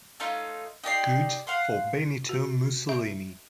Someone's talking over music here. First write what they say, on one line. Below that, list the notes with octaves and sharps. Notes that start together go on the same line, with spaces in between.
Good for Benito Mussolini.
A3 C#4 D#4 F4
D#4 G4 D5 C6
F5 F#5 C6
F#4
E5